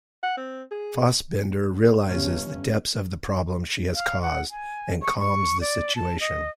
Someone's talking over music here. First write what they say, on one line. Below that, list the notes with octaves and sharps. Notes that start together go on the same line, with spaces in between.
Fassbender realizes the depths of the problem she has caused and calms the situation.
F#5
C4
G#4
G1 G2 C#4
F5
F#5
G#5
C#6
C#6
D5
A5
D#5